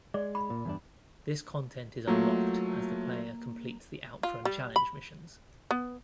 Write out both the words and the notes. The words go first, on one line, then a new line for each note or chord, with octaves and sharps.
This content is unlocked as the player completes the OutRun Challenge missions.
G#3 D5
B5
A#2
E2 G2 D4
F#3 A3 A#3 F4
F4
G3
B5
B3